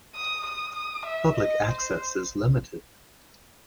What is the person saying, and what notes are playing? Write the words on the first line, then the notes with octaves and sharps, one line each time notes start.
Public access is limited.
D#6
D#6
D#6
E5
D#5
C5